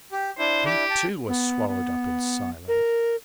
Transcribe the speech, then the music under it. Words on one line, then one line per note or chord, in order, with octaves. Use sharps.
He, too, was swallowed up in silence.
G4
D4 E4 C5
G4
G5 A5
B3
B3
A#4